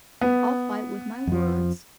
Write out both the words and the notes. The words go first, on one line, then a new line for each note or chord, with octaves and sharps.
I'll fight with my words,
B3
F2 F3